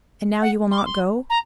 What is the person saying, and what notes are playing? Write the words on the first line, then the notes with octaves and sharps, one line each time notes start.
"And now you will not go?"
F#5
C6
D6
C6
A#5